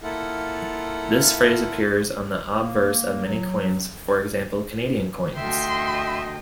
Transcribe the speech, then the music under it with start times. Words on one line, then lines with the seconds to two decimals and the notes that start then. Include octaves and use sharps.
This phrase appears on the obverse of many coins, for example Canadian coins.
0.03 A#3 E4 F4 A4 F#5
2.56 A#3
3.26 F#3
5.37 D2 D#5 E5 G5 C6